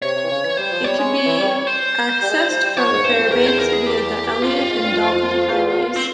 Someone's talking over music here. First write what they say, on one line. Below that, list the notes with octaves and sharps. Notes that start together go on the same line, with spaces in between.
It can be accessed from Fairbanks via the Elliott and Dalton highways.
C3 C#5
C3
E3
C#3
E3
G3 C5
F3
G3 C#5
G#3
E3
G3
C5
G3
G#3
G3
F3
G3
F3 C#5
G#2
G2 C5
F2
E2 A#4
C5
A#4
G#4
G4
F2 F4
G2
G#2
G2
F2
E2
C4